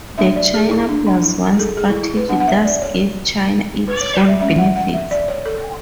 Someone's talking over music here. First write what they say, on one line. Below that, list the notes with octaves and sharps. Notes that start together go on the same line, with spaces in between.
The China Plus One strategy does give China its own benefits.
F#3 A3 D4 E5
D5
G#4
E4
D4
D4
E4
G#4
A4
G#4
E4
E4
B4
F#3 B3 D4 F#5
F#5
E5
D5
C#5
B4
C#5
D5
E5
G#3 C#4 E5
F#5
F#5
E5
D5
C#5
A4